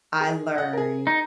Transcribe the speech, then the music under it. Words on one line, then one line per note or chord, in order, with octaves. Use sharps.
I learned,
G#4
D#5 F#5
G#4 A#4
D#4